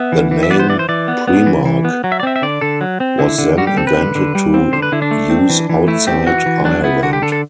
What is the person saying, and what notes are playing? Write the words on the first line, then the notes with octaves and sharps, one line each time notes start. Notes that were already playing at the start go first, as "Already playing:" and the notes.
The name "Primark" was then invented to use outside Ireland.
Already playing: B3 E5
E3
E3
E5
B3 D5
C5
E3 D5
C5
E3 D5
B3
B3
E3
E3
B3
F#3
E5
D5
C4 E5
E5
D3 D5
D3 A4
F#3
C4
D3 E4
D3
G3 F#4
G4
C4 A4
B4
D3
D3
G3
C4
D3 C5
B4
D3 E4
D4
A3
C4
E3
E3
A3 E4
C4 G4
E3 F#4
E3
F#3 D4
B3 E4
D3 F#4
G4
D3 A4
A4